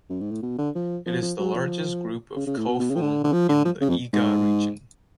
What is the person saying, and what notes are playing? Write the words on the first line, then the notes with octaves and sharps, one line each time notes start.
It is the largest group of "kofun" in the Iga region.
F#2
G#2
A2
B2
D3
F3
F3
F3
F#3
F3
C#3
C#3
A2
B2
B2
C#3
F3
D3
D3
F3
D3
F3
C#3
F2
G#2